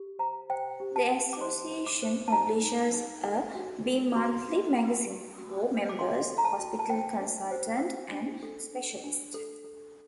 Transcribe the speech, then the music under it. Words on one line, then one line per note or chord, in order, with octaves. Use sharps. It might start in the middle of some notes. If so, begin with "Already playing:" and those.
The association publishes a bi-monthly magazine for members, Hospital Consultant and Specialist.
Already playing: G4
C5 A#5
C5 G5
G4
A5
C5
D6
C5 C6
D#4
D6
C5
A5
D#4 A#5
D#4
D#4
A4
F#4
A4
F#4 C6
F#4
F#4
F#4
F#4
C5
D6
A4 C6
A4
A#5
A5
F#4
A5
C5 G5
D4
C5
D4
D4
A4
D4
D4
A4
A4